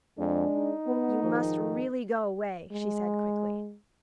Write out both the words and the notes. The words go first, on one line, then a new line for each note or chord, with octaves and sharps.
"You must really go away," she said quickly.
F2 G#3 D4
D#4
B3
G#2 D#3 F3
G#3